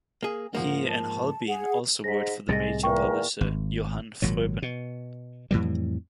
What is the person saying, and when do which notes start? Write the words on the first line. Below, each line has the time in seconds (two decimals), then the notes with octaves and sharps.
He and Holbein also worked for the major publisher Johann Froben.
0.23 A#3 G#4
0.55 G#2 F3 A#3 F#5
0.88 A5
1.47 G#4 F#5
2.04 G#2 A#6 B6
2.49 C2 A2 C3 G#3 A6 A#6
2.83 E2 A#2 A#4 G5 C#6
3.41 G#1
4.22 G#1 A#2 F#3
4.62 B2
5.51 F2 A2 E3 G3